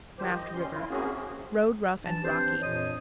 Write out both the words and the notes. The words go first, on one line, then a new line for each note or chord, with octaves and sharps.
Raft River.--Road rough and rocky.
G2 D#3 F3 G4 C5
D#5
G3 C#4 C6
E4 F4
A#3 C4 C#4 F#4 G#4
E3 D4 A5
C4 D4 G4 B4 C5
F2 A#2 E3 C#5 D#5 D#6